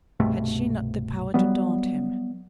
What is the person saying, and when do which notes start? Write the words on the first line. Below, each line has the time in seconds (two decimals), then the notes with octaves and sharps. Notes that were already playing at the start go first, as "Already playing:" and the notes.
Had she not the power to daunt him?
0.20 C2 G2 B2 A3
1.34 F#3 G3 B3